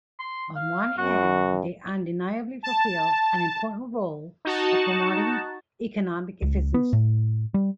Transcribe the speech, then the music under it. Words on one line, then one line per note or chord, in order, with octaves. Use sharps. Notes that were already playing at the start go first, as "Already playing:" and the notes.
On one hand, they undeniably fulfill an important role of promoting economic efficiency.
C6
F5
F#2 F#4
A5
D#4 F#4 A5
C#2
B3
A2
G3